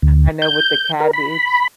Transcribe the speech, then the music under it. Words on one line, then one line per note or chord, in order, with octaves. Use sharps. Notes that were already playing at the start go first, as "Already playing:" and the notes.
I know with the cabbage,
D2
G6
A#4
B5